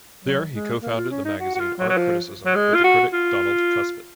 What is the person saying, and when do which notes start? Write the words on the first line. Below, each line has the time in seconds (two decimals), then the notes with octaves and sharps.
There he co-founded the magazine Art Criticism with the critic Donald Kuspit.
0.25 F#3
0.53 G#3
0.82 A#3
0.97 F4
1.11 C#4
1.25 D#4
1.40 F#4
1.55 F#4
1.60 F4
1.78 F#3
1.89 F#3
1.97 F3
2.46 F#3
2.55 G#3
2.74 F4
2.84 F#4
3.13 F4